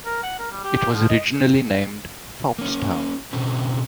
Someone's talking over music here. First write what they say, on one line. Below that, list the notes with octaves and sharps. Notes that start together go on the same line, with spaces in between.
It was originally named Phelpstown.
A#4
F#5
A#4
G3
G4
G4
F3
D#5
A#3 C#4
B2 D3 C4 C#4